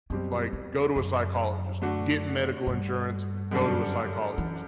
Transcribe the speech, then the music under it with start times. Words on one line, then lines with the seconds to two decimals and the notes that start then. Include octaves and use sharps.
Like, go to a psychologist, get medical insurance, go to a psychologist.
0.10 F#2 B2 G3 C4 G4
0.53 E2
0.96 F#2
1.82 D3 A3 D4 F#4
2.67 G2
3.51 F#2 D3 G3 D4 A4
4.38 E3